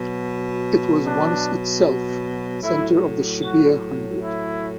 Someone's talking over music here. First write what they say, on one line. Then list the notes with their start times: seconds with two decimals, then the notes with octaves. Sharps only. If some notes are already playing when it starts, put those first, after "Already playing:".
It was once itself centre of the Shebbear hundred.
Already playing: B2 F#3
1.05 D4
2.63 A2 F#3 E4
3.44 F#4
4.23 E4